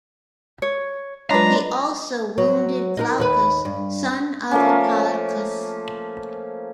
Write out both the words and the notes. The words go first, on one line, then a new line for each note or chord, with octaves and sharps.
He also wounded Glaucus, son of Hippolochus.
C#5
F#3 G#3 D4 F4 B4 A#5
F#3
D#4 F4 A#4
D#2 F#4 B4
G2
F3 A3 A#3 C#4